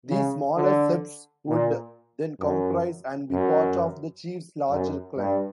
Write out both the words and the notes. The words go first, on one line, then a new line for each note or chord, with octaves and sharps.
These smaller septs would then comprise, and be part of, the chief's larger clan.
C#3
D3
A#2
F#2
F#2
F#2
G2